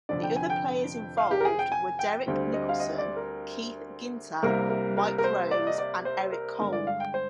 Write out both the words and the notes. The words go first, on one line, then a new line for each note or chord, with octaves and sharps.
The other players involved were, Derrek Nicholson, Keith Ginter, Mike Rose, and Eric Cole.
F1 F2 D3 D5
G5
G#5
G5
F5
G4
A#4
G#4
G5
G#5
G5
D2 D3 G3 C4
D#5
F5
D#5
D5
A#4
C2 C3 G3 A#3 A#4
A#4
A#4
A#4
C5
D5
D#5
D5
C5
A#4
G2 D3 G#3 A#4
D5
F5
G5
C5